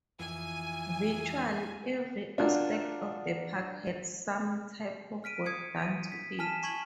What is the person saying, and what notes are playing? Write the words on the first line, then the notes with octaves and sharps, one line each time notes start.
Virtually every aspect of the park had some type of work done to it.
F2 E3 G#5
D4 F4 F#4 A#4
F6 B6 D7 D#7
D#6 G#6 C#7
D#7
B6
G#5 A5 F6 B6 D#7 E7
G#5 C#6 G#6 F#7